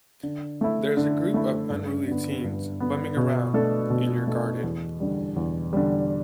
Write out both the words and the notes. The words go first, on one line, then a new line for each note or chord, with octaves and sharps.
There's a group of unruly teens bumming around in your garden.
D3
A3 E4
D3
A3 E4
G2
D3 B3
G2
D3 B3
B2
A3 D4 A4
B2
A3 D4 A4
E2
D3 G3
E2
D3 G3